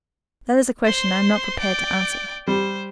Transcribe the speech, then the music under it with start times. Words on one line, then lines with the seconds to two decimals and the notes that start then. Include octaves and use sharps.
"That is a question I am not prepared to answer."
0.85 C5 C6
1.59 D5 G5
2.47 G3 C5